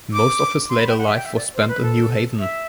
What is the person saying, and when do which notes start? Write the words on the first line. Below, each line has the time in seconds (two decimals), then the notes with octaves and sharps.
Most of his later life was spent in New Haven.
0.13 D6
0.69 C6
0.78 B5
0.88 G5
0.98 F#5
1.07 E5
1.17 G5
1.26 E5
1.36 D5
1.55 C5
1.68 B4
1.82 A4
2.39 E5